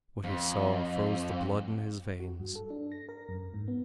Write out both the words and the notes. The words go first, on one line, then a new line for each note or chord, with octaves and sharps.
What he saw froze the blood in his veins.
F2
F#4
G2
A4
D4
A#6
A#4
F#2
G#2
B3